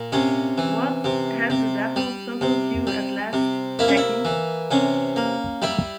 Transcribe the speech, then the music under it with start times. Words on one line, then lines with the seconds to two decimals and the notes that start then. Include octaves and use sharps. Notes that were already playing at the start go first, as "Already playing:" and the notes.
What, has the devil toggled you at last, Jacky?
Already playing: A#2
0.12 C3 C#4
0.58 E3
1.04 C3
1.50 C3
1.96 G3
2.41 C3
2.87 G3
3.33 C3
3.79 A#3 E4
3.88 C#4
3.97 E4
4.25 E3
4.71 C3 C#4
5.16 A#3
5.62 G3 E4